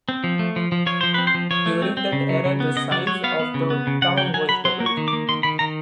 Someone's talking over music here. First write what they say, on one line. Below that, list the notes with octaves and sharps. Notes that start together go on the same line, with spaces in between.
During that era the size of the town was doubled.
C4
F3
A3
F3
F3
F3 C#5
F3 C5
C4 B4
C5
F3
F3 C#5
A3
C4
C4
C#3
F#3
C#3
B3
C#3 D#5
F#3 D5
F#3 C#5
B3 F5
B3
C#3
B3
C#3
C#3 F#5
F#3 G5
F#3 G#5
F#3 B5
F#3 C6
A#3
C#6
D#3
D6
A#3
D#3 C6
D#3 B5
D#3 A#5